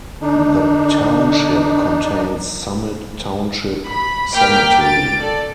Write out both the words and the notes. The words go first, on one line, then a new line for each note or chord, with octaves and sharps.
The township contains Summit Township Cemetery.
D3 D4 D#4
B5
A#3 G5 D6 F6 B6
A6 D7
A4 D5